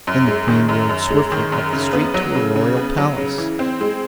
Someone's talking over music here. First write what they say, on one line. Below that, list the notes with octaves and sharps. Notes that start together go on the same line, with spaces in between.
Then the Queen rode swiftly up the street to her royal palace.
F#2
G#3
D#3
F#2
F#2
G#3
D#3
F#2
C#3
B3
F#3
C#3
C#3
B3
F#3
C#3
E3
C4
G#3